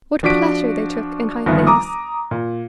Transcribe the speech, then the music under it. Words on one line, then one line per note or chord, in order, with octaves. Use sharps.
What pleasure they took in high things!
F3 D4 F#4 B6 D7
G1 D#3 F3 B3 E5
A#5 D6 D#6
A#2